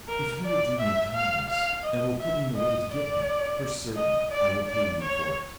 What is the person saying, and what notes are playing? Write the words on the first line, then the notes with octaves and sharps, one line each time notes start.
"If you will do me a kindness, and will put me in a way to get him, for certain I will pay ye for it."
A#4
D5
E5
F5
F5
D#5
E5
D#5
D5
D#5
D5
D5
C#5